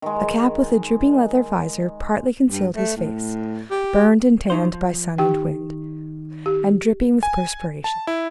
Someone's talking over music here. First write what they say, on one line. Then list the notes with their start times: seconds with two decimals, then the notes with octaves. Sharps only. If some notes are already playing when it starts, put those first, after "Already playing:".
A cap with a drooping leather visor partly concealed his face, burned and tanned by sun and wind, and dripping with perspiration.
0.02 D#3 G#3
2.50 G2
2.76 A3
2.96 A2
3.71 G4
4.50 F#3 D#4 C5
4.73 F3
5.18 D#3 G4 G5
6.46 G4
7.23 G#5
7.84 A5
8.07 E4